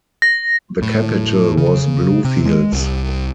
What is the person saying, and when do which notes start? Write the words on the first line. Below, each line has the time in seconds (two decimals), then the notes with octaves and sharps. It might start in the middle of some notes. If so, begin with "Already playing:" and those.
The capital was Bluefields.
0.22 A#6
0.82 A2
1.58 C#3
2.25 C3
2.45 G#3
2.73 C2